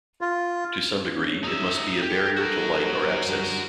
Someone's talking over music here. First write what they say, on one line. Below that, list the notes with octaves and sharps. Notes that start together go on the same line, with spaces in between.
To some degree, it must be a barrier to light or access.
F4
E2 C#4
D#4 E5
G4 A4
F#4 A#4
B4 C5
D3 G3